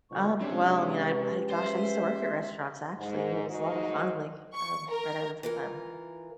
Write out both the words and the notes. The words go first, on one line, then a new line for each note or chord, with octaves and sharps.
Um, well, I mean, I I, gosh. I used to work at restaurants, actually. It it was a lot of fun, like, um, right out of, um
G1 F2 B2 C#6
C3 G#3 C#4 D4 G4 C#5
B4 C#6
C5 E5
G#2
D2 G#2 F#3 D#4
C#6
A#4
E3 F4 A#4